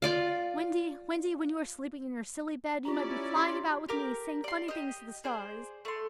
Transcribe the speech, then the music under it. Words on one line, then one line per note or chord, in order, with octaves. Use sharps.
"Wendy, Wendy, when you are sleeping in your silly bed you might be flying about with me saying funny things to the stars."
F4 D5 F5
C#4 E4 F4 G4 D5 A#5
C6
G4 A#4 D6
D5 C6
G4 D#5
G#4 C5 D5
A3 C6